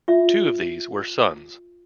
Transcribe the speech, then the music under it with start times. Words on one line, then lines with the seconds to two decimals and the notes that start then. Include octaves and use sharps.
Two of these were sons.
0.08 F4 E5